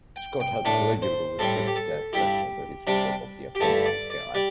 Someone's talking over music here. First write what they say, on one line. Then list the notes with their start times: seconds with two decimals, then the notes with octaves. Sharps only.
Scott has allegedly received death threats over his support of the Affordable Care Act.
0.16 G5
0.40 G5
0.65 A2 A3 D4
1.02 C5
1.39 A2 G3 C4 A4
1.67 G4
1.76 A4
2.13 G2 G3 E4 G4
2.87 C3 G3 D4
3.55 G4
3.60 G2 D3 A3 E4 A4
3.86 D5
4.10 D5
4.34 G3 D5